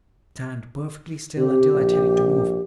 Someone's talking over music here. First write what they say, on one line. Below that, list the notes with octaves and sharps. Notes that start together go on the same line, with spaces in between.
"Stand perfectly still until I tell you to move."
C3 G4
A#1